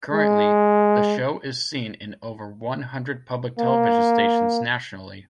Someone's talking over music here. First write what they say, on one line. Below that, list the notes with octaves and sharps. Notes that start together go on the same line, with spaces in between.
Currently, the show is seen in over one hundred public television stations nationally.
G#3
A#3